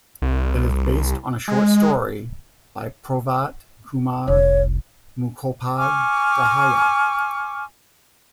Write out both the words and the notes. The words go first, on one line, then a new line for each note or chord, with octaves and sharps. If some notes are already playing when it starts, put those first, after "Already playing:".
It is based on a short story by Provatkumar Mukhopadhyay.
C2
G#3
F1 C2 C#5
G#5 C#6 D6 F6